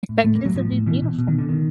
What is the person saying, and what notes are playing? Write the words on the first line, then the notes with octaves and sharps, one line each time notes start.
our kids will be beautiful.
A2
A2 A3
A#3
A2
F#3
A2 F3
A2
B2 E3
B2
B2
D#3
B2 D3
B2 D#3